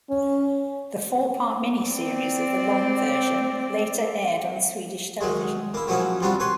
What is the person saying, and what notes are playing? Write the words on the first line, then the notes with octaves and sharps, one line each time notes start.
The four-part miniseries of the long version later aired on Swedish television.
C#4
C4 D5
D#3 F#3 G#3
A#3 E4
F3 F#3 A#3 C#4 D#4 E4
G3 C4 D4 F4 F#4
B4 C#5 C6